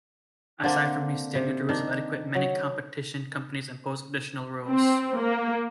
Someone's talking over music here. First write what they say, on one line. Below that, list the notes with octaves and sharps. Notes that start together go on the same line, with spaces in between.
Aside from these standard rules of etiquette, many competition companies impose additional rules.
D3 A#3 C4 D4
C3
D#3 D4
F#3
C4
A#3